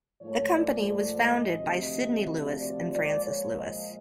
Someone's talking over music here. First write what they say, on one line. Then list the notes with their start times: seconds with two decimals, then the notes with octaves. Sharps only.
The company was founded by Sydney Lewis and Frances Lewis.
0.21 G#2 F3 A3 C#5
0.55 D5
0.90 D5
1.23 D#5
1.57 D2 C3 F3
2.59 D5
2.92 A#2 F3 G#3 D5
3.27 C#5
3.60 D#5